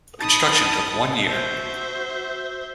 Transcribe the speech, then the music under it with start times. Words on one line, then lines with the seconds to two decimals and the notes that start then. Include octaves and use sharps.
Construction took one year.
0.20 D#4 A5 B5 D#6
1.26 F#4 C5 E5